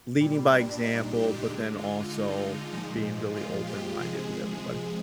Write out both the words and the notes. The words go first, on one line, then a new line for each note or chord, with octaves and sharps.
leading by example, but then also being really open-minded with everybody.
A#2 G3
D4
D#4
G4
D3 G#3
F4
D#4
F4
A#2 F3 G#3 D#4
F4
G4
C3 F3 G#3 G#4